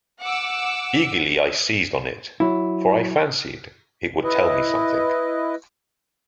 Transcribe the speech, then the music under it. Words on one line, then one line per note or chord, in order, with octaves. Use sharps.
Eagerly I seized on it, for I fancied it would tell me something.
F#5 D6 E6
F#3 E4
E4 B4 D#5